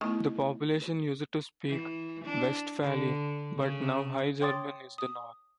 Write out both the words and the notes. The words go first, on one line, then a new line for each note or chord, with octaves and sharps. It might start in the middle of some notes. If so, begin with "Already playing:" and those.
The population used to speak Westphalian, but now High German is the norm.
D#3 A3 B3 E4
E3
D4
D3
C#3
C#5 G5 C6 D6 D#6 A6
D#6